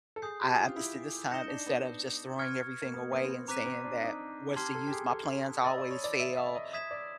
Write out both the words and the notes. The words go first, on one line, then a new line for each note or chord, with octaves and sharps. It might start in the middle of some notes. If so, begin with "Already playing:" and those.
I I missed it this time," instead of just throwing everything away and saying that, "What's the use? My plans always fail.
A4
G#4 D#6 G6 C7
G4
F4
E4
D#4 G6 A#6 C#7 E7 G7
D4
B3
C#6 F6 G#6 C#7
A#3
B3
B3
C4
B3
C4 A#5 D6 F#6 B6 D#7
C4
D4
D#4
G4 A5 C6 F6 G#6 C7
A4
G4
G#4
A4
D#5 B5 E6 A6
D5
C#5
D5
E5
E5
D5
D#5
E5 D#6 G#6 B6 E7
D5